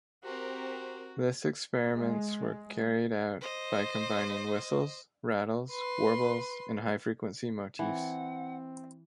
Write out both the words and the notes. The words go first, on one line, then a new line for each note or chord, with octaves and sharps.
This experiments were carried out by combining whistles, rattles, warbles, and high-frequency motifs.
C4 F#4 G4 A#4 C5
G#3
C5 D#5
B4 C6
E3 C4 F#5